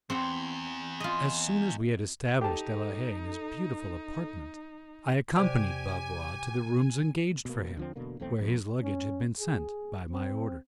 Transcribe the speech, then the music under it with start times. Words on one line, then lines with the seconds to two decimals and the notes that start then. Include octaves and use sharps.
As soon as we had established De la Haye in his beautiful apartment, I accompanied Bavois to the rooms engaged for him, where his luggage had been sent by my orders.
0.10 E2 G2 C4 F#5
1.00 F4 D#5
2.41 D#4 G4 A4 A5
5.37 C3 G4 C5 D5 G#5
7.45 B2 A#3
7.77 D3 F3 C4
7.96 E1 B2 D3 A#3
8.20 B1 E2 A3 C4
8.40 A#1 F2
8.83 C#4
9.40 G#4
10.12 C4